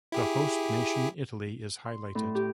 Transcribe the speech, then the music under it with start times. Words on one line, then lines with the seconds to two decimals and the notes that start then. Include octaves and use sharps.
The host nation, Italy, is highlighted.
0.12 E4 G4 G#4
1.85 C6
2.15 A2
2.35 G4